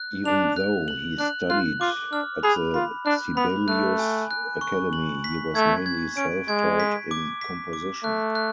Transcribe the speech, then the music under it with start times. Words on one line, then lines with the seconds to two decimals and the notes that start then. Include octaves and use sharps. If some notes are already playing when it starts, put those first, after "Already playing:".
Even though he studied at the Sibelius Academy, he was mainly self-taught in composition.
Already playing: F#6
0.25 D4 F7
0.56 F#6
0.88 F#7
1.19 D4 F#6
1.50 F4 F#6
1.81 F4 D6
2.12 D4 F6
2.43 G#4 B5
2.74 F4 B5
3.06 D4 F#6
3.36 B3 B5
3.68 A3 F#6
3.99 G#5
4.31 F#6
4.61 C#6
4.93 F#7
5.24 B6
5.55 A3 G#6
5.86 G#6
6.17 C#4 D7
6.48 G#3 G#6
6.80 B6
7.11 D6
7.41 B6
7.73 D6
8.04 A3 F#6
8.35 F#6